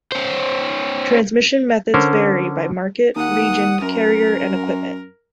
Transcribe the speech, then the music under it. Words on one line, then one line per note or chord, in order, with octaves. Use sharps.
Transmission methods vary by market, region, carrier, and equipment.
C#4 C5
D3 C#4 A#4 C5
D#2 F#5 D#6
F#2 A#4